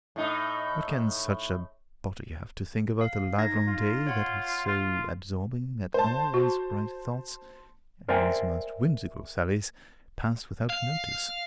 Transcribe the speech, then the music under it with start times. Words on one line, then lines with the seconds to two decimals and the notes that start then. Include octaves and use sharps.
What can such a body have to think about the livelong day that is so absorbing that all one's bright thoughts, and one's most whimsical sallies, pass without notice?
0.16 A2 D#4
3.01 F5
3.38 D#4 G#6 A#6
3.68 F4
4.07 C#5 F#5 C6
4.67 F4
5.94 C5 A5
6.34 F#4
8.09 A#4 C5 D5 E5 G5 G#5
10.69 F5